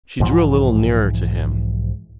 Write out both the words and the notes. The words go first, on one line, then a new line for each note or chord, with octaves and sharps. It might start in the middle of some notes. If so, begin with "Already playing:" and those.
She drew a little nearer to him.
B1 G#2 E3 F3